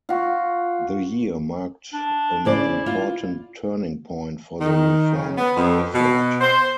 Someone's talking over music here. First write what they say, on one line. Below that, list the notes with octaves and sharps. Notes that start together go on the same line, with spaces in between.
The year marked an important turning point for the reform effort.
F4 F#4
D4
C#3 E4 C5 D5
F4
D#3
C#3
B3
F2
B2
C5